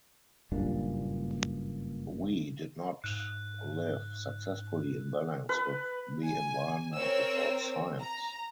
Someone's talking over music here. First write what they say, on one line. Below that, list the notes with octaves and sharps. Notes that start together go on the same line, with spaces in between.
We did not live successfully in balance with the environment without science.
F#1 G2 A#2 D4
G#2 F#6
B4
G#5
C4 A#4 C#5 E6
A#5